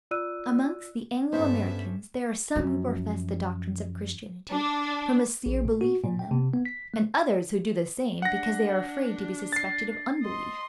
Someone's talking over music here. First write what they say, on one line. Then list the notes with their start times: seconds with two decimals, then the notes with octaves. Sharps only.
Amongst the Anglo-Americans, there are some who profess the doctrines of Christianity from a sincere belief in them, and others who do the same because they are afraid to be suspected of unbelief.
0.11 F4 D5 E6 F#6 D#7
1.33 G2 B3 C#4 D4 A4 C5 E5
2.56 F#2 F3
4.50 D4
5.46 A#1
5.65 A#2
5.81 F#4
6.04 A#2
6.19 G5
6.31 C3
6.54 B3
6.65 B6
6.94 A3
8.22 D4 F#5 A#6
9.53 A6 C7
10.23 D#5 C6